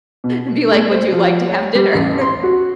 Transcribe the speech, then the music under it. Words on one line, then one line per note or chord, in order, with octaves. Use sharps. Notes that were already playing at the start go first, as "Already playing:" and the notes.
and be, like, "Would you like to have dinner?"
B2
A3
C5
F3
C#5
G3
A1
C6
F#4